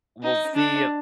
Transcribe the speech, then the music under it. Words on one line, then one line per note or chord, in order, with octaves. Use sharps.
We'll see a
D#4
D4